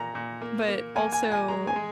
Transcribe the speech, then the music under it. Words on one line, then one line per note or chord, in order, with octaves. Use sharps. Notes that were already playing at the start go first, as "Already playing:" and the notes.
but, also
Already playing: A#2 A#3 A#5
A#2
A#3
A#3
A#3 G#5
G#5
A#2
G#5
G#3 A#5
G#5
G#3